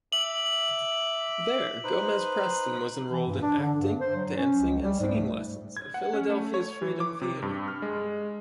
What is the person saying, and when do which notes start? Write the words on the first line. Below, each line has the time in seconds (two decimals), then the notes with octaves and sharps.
There Gomez-Preston was enrolled in acting, dancing, and singing lessons at Philadelphia's Freedom Theatre.
0.12 E5 D6 F#7
1.84 D#4 B4 C5
3.10 E3
3.28 G2
3.42 D4
3.60 D3
3.80 G2
4.00 C5
4.16 F#3
4.37 C#4
4.61 C#2
4.82 G3
5.00 G#2
5.12 A3
5.77 G#6
5.94 F#5
6.13 C#4
6.29 A3
6.54 C#5
6.82 E3
7.00 D6
7.21 C3
7.42 G2
7.68 F6
7.82 G#3